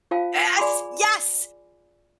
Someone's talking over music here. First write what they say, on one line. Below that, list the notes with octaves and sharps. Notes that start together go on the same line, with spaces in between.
Yes, yes,
F4 C5 F5 G5 A5
G#4 D5 G#5 B5 C6 D6